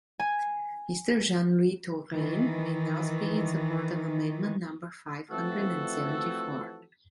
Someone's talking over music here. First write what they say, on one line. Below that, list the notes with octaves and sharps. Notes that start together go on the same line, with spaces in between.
Mr. Jean-Louis Touraine may now speak in support of Amendment number five hundred and seventy-four.
G#5
D#3 E3
E3 F3 A3 C4 F#4 A4